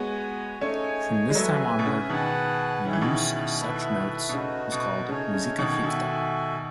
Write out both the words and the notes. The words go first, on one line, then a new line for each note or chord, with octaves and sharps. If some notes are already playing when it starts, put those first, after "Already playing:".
From this time onward, the use of such notes was called musica ficta.
Already playing: G#3 B3 F#4 C#5 G#5
A3 C#4 D#4 G#4 C#5 G#5
G#3
F#3 A3 G#4 B4 E5 G#5
B2
C#3
B2 D#3 G#4 B4 F#5 A5
D#3 C#4 E4 G#4
E3
B2 D#3
A3 E4 B4 E5
B2
C#3 A3 D#4 F#4 B4
B2
C#3 A3 D#4 G#4 C#5
C#3
B2 D#3
B2 D#3 F#4 A4 E5 G#5